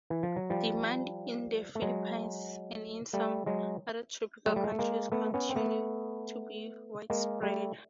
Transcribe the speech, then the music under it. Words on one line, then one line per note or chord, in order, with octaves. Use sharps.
Demand in the Philippines and in some other tropical countries continue to be widespread.
E3
F3
F#3
F3 G3
A3
F#3 G#3
G3 A3
F#3 G#3
G3 A3
G3
G#3
A3
G#3 A#3
A3 B3
B3 C#4
C4
A3 B3
G#3 A#3
G3 A3